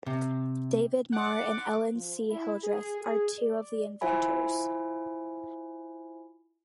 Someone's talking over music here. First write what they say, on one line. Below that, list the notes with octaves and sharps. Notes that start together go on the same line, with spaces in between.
David Marr and Ellen C. Hildreth are two of the inventors.
C3
D5 F#5 D6
F3
E4
G#4
G#4
D5
E4 F4 C5 E5 G#5 B5